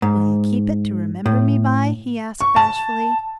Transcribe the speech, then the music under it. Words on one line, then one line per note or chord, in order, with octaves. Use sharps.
"Will you keep it to remember me by?" he asked, bashfully.
G#2
A2
C#6
A5